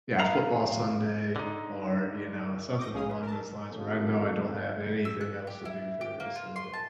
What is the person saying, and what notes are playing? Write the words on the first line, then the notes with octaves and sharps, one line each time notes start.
Yeah, a football Sunday or, you know, something along those lines where I know I don't have anything else to do for the rest of the day.
F5 A#5 B5
D3 D#4
D6 D#6 G6 A#6
A#1 C#4 G#4 F5 D#6
B4
A#4 A5
G#1 D2 C#3 A#3 A4
E6
F#6
G4
E4
G4
A#3
F4
C6
A5